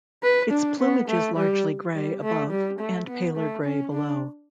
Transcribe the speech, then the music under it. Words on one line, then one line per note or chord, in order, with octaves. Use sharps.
Its plumage is largely grey above, and paler grey below.
B4
D4
B3
A3
G3
G3
A3
G3
A3
B3
A3
C#4
D4